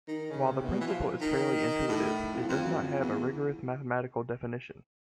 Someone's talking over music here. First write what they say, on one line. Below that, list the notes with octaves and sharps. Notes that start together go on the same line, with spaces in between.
While the principle is fairly intuitive, it does not have a rigorous mathematical definition.
D#3
C#3
C3
B2
E3
F3
D#3
A2
F2
F2
F#2
F2
E2